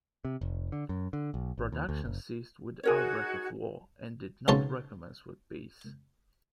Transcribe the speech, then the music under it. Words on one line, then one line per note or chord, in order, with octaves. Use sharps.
Production ceased with the outbreak of war and did not recommence with peace.
C3
F1
D3
F#2
D3
B1
G#1
D#2
D2
F#1
D#4 F#4 G#4 A#4 C#5 G#6
B1 C#3 C#5 A5 C6